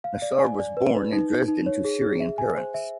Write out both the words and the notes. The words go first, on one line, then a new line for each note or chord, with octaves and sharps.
Nasr was born in Dresden to Syrian parents.
F5
D5
G#5
D5
B4
B4
D#4
D#4
D#4
C#5
G#4
G#4
E5
G#5
C5
E5